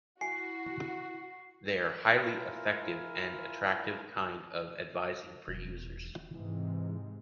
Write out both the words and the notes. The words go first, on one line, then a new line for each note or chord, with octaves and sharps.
They’re a highly effective and attractive kind of advertising for users.
E4 F#4 G#5 C7
E4 F4 A#4 G#5
E1
G#2 C3 E3 G#3